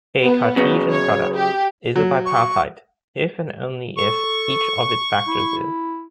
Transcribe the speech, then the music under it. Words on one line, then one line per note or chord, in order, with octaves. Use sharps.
A Cartesian product is bipartite if and only if each of its factors is.
B3
F#2 C#3
C#5
G4
F#3
C#6
A4 C#6
E4